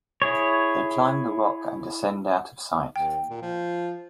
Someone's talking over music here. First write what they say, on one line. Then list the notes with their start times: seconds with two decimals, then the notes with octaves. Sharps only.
They climb the rock and descend out of sight.
0.22 E4 G#4 C#5
2.96 D#2 G5
3.30 A#2
3.42 F3